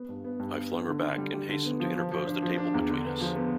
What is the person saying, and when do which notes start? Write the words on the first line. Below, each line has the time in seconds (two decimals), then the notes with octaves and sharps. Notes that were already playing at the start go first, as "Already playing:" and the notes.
I flung her back, and hastened to interpose the table between us.
Already playing: B3
0.09 G2
0.24 B3
0.39 G2
0.55 B3
0.70 B3
0.87 D3
1.03 D3
1.18 G3
1.33 G3
1.49 D3
1.65 B3
1.80 F3
1.95 F3
2.12 F3
2.27 D4
2.42 F3
2.58 D4
2.74 E2
2.89 D3
3.05 B3
3.21 F3
3.36 B3